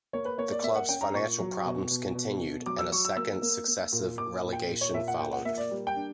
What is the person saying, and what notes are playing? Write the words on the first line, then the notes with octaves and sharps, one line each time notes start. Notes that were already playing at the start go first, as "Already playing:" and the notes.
The club's financial problems continued and a second successive relegation followed.
A#3 C#5
B4
A#3 C#5
D5
A#3 E5
F#5
C#4 G5
A#5
A#2 C#6
F#3
B2
B2
B2
B2
F#3 D6
E6
F#3 C#6
E6
A#3 E6
A#3
A#3
A#2
A#2 D6
A#2
G5
A#2
C#5
A#2 E5
F#5
A#2 G5
F#5
A#3 E5
D5
G3
G5
D4